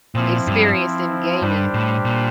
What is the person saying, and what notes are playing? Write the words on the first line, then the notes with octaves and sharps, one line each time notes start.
experienced in gaming
A#2 F3 C4 E4
G2
G2 G3 D4 G4 C5
A2
A#2